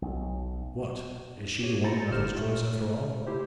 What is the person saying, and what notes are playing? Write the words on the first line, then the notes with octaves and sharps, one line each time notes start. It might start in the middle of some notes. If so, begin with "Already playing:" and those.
'What--is she the woman of his choice after all?'
B1
G4 C#5
E4 C5 A#5 A6 A#6 C#7
G1 D3 G4 C5 F6 E7
A#2 A3
E4 G4 C5